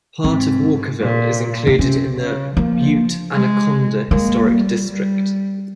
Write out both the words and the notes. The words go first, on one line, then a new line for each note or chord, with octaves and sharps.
Part of Walkerville is included in the Butte-Anaconda Historic District.
G#2 C4
A#2
C4
C3 C#4
C#3
F3 A#3
G#3
G#3 A#3
G3
G3